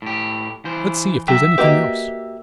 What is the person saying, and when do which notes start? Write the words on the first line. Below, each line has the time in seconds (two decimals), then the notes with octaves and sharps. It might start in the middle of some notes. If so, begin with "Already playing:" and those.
"Let's see if there's anything else."
0.02 A2 G4
0.65 E3 C5
1.28 F#3 E5 G5
1.58 A#3 F#4 G4 B4 D#5